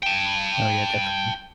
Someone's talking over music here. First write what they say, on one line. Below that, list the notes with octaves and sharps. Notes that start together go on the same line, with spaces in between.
Oh, yeah. Definitely.
G5 A5